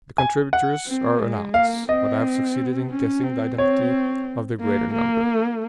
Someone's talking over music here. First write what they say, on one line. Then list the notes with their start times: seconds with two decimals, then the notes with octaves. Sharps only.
The contributors are anonymous, but I have succeeded in guessing the identity of the greater number.
0.18 G#5
0.53 F#5
0.87 C4
1.20 G#3
1.54 A#3 F5
1.89 C4 D#5
2.91 C#4
3.24 C4
3.58 C4 C#5
4.61 A#3
4.94 A#3